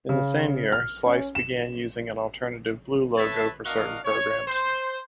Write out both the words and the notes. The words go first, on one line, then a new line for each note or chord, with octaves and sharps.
In the same year, Slice began using an alternative blue logo for certain programs.
C#3
F6
C#4
E7
A4 B4 C#5 E5 A5
B3 D4 F#4 A#4 D#5 F5
C#5
C5